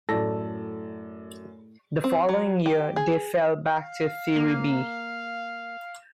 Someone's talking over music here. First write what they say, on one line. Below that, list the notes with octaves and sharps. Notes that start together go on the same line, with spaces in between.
The following year, they fell back to Serie B.
F#2 A2 A4 D5 A#6
C4
F#3
G4
G#4
F5
A#3